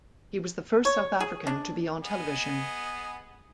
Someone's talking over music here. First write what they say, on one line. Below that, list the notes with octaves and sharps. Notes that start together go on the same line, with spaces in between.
He was the first South African to be on television.
C#5
G#4
D4
B3 G#4 D#5